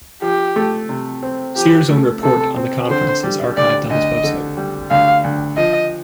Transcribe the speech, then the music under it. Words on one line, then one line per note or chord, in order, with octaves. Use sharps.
Sierz's own report on the conference is archived on his website.
F3 G4
A3
C3
C4
F3 G4
A3
C3 A4
C4
D3 C5
G3
D2 D5
D2 D#5
D3
G3
D2 F5
D2
F3 D#5